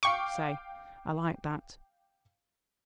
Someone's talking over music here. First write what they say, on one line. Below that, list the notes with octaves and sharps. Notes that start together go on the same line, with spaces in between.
Say, I like that!
F5 G5 C#6 D6